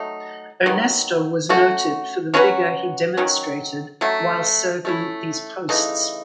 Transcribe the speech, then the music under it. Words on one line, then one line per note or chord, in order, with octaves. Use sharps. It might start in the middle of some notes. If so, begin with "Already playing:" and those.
Ernesto was noted for the vigour he demonstrated while serving these posts.
Already playing: F#3 A3 D#4
D#3 F#3 B3
A3 C#4 F#4
F#3 C#4 F#4 B4
D#3 F#3 C#4
F#3 A3 C#4
A3 C#4 E4
C#3 E3 A3 D#4